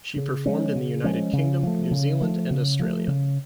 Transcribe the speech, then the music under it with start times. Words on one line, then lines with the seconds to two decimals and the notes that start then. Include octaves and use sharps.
She performed in the United Kingdom, New Zealand and Australia.
0.16 C#3
0.46 F3 G#3 C#4
0.76 C#3
1.04 F3 G#3 C#4
1.33 C#3
1.63 F3 A3
1.91 C#3
2.21 F3 A3
2.51 C#3
2.79 F3 A3
3.08 C#3